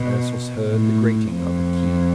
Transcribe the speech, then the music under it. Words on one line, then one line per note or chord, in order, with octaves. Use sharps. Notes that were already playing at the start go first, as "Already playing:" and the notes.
Ursus heard the grating of a key.
Already playing: B2
A2
F2